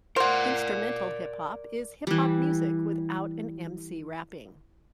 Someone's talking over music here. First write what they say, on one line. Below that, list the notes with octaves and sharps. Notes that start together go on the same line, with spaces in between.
Instrumental hip hop is hip hop music without an emcee rapping.
A#4 C5 D5 F#5
E3 G3